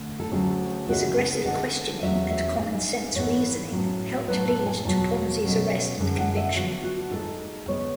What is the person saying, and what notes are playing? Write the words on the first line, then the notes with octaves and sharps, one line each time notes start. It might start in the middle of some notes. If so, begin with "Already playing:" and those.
His aggressive questioning and common-sense reasoning helped lead to Ponzi's arrest and conviction.
Already playing: D3 A3 D4
A4
D2 D3 F#3 A3 C#4 G#4
D2 C#3 G#3 C#4 E4 F#4
G#4
D3 G#3 D4 F#5
E2 B2 F#3 C#4 E5
E5
G#2 G#3 D4 G#5
G#2 E3 B3 C#5
A2 F#3 C#4
A2 F#3 B3 D4 B4
A4
G#5
E2 B2 F#3 A5
B2 F#3 C#4
F#2 D3 G#3 C#4
F#5
E5
D3 F#3 B3 D4 F#4
F#4
G#2 G#3 D4 A4
D2 C#3 G#3 B3 C#5